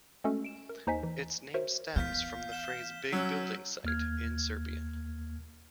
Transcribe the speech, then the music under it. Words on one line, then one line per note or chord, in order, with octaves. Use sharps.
Its name stems from the phrase "big building site" in Serbian.
G#3 A3 C#4 F#4 A4
D7 E7
A#4
D#2 D#4 C5 D#5 G#5 B6
E3
F#4 A#4 C5 C#5 E5
E3 B3 F5 F6 G6 B6
E7 G7
F#3 C#4 E6 B6
D#2 A#3 F6 G#6